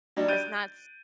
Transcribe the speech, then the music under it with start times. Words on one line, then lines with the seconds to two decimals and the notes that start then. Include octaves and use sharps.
it's not s
0.16 F#3 G3 D4 D#4
0.28 F#6 G6 A6 D7 D#7